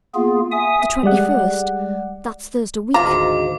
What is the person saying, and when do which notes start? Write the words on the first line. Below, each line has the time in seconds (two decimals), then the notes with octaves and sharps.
'The twenty-first--that's Thursday week.
0.15 A#3 B3 F4 G#4
0.51 E5 G#5 D#6
1.03 G3 G#3 D5 F#5
2.94 D2 G#2 D#3 F4 A#5 D6